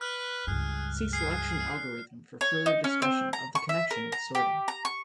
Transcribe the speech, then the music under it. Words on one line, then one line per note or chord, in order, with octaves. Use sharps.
See selection algorithm for further discussion of the connection with sorting.
B4 F6 F#6
C#2 G2 G#4
G#4 F6 C7
C#5
D#4
C#4
C4
A#5
C#6
E5
A#4
A#5
G4
A#5
C#6